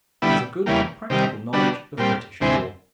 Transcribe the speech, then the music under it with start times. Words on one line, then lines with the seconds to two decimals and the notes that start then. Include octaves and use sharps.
Has a good practical knowledge of British law.
0.22 D3 G3 B3 E4
0.66 E2 C#3 E3 G3 A#3
1.10 C3 D#3 G3
1.53 D3 G3 B3 D4 F#4
1.97 A#2 G3 C4
2.41 D2 C3 E3 G#3 C4